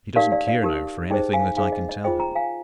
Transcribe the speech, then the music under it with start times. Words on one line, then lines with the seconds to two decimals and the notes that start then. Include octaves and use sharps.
"He doesn't care, now, for anything that I can tell him."
0.16 D#4 G4 A#4 D5 F5
0.32 D5 F5
0.47 D5 F5
0.63 D#4 G4 A#4
1.10 D#4 G#4 C5 D#5 G5
1.34 F5 G#5
1.57 D#4 G#4 C5 F5 G#5
1.72 D#5
1.89 D#5
2.04 F4 G#4 C5 D#5 G5
2.20 G5 A#5
2.35 F5 G#5